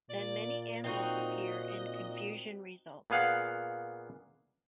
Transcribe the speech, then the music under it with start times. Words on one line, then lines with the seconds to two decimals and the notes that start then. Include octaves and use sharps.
Then many animals appear, and confusion results.
0.10 A#2 D5
0.84 C4 D#4 F#4 D#5
3.10 A#2 B3 G#4 F5 F#5